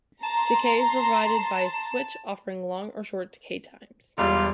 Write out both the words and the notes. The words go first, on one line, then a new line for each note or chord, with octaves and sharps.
Decay is provided by a switch, offering long or short decay times.
A5 A#5 C6
E1 E2 G3 F4